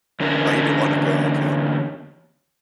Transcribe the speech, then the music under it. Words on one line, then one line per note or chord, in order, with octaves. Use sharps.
Oh, he didn't wanna go, okay.
E2 D3 C#4 A#4